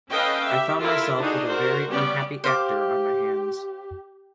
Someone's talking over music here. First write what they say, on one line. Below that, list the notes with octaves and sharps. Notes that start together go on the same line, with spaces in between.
I found myself with a very unhappy actor on my hands.
C#4 A4 B4 D#5 F5 G5
G4 E5
E4 F4 A4 A#4
D4 D#4 F#4 G#4
F#4 A#4 C5
G3 B3 C#4 D5
G4 C5 F5 D6